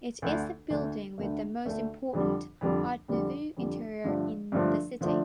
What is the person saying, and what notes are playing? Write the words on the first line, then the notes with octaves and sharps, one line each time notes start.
It is the building with the most important Art Nouveau interior in the city.
D2 D3 A3
D2 D3 A3
D2 D3 A3
D2 D3 A3
F2 D3 G3
F2 D3 G3
F2 D3 G3
F2 D3 G3
G2 D3 F3 A3 D4
G2 D3 F3 A3 D4
D3 F3 A3 D4